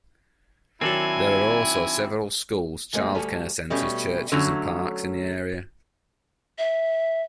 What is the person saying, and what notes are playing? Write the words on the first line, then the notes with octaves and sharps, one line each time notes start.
There are also several schools, child care centres, churches and parks in the area.
D#3 F#3 C4 D4 E4 A4 G#5
D2 G#3 A#3 C4 D#5
D2 G3 A4 G#5
B2 G3 A3 C#4
D3 F#3 A3 C#4
E5